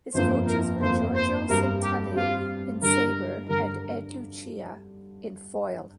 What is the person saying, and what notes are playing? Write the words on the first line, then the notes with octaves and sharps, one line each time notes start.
His coaches were Giorgio Santelli in sabre, and Ed Lucia in foil.
G1 F2 F3 A#3 C5
A#4
G1 F2 F3 A#3 C5
C5
G2 G3 C4 A#4
G4
G2 G3 C4 F4
G2 D3 G3 D4 A#4
G2 D3 G3 D4 A#4